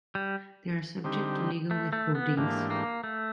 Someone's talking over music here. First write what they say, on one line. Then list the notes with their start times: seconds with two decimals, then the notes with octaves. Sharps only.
They are subject to legal withholdings.
0.15 G3
1.04 D3 G3 C4 D#4 G4
1.71 A3
1.93 A3
2.15 B3
2.37 G#2 E3 A3 A#3 D4 G4
2.70 A#3
3.04 A3